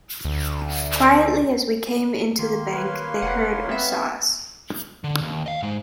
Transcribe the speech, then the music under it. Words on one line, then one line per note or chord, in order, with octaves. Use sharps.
Quietly as we came into the bank, they heard or saw us.
D2
D#3 A#3 C6
B4 C#5 F5
F1 F#5
B3 C4 E5
D3
D#2
D#5 F5
G#2 G#3